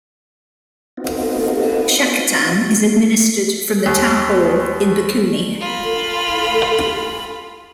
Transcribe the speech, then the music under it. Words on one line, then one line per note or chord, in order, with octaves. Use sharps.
Shakotan is administered from the town hall in Bikuni.
B3 C4 D#4 F4 F#4
D#2
F4 B5